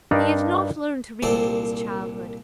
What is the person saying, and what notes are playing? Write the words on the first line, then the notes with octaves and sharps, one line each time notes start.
He had not learned to read in his childhood.
G2 D4 D#4 A#4 D5
C2 A#2 C4 A4 C5 D5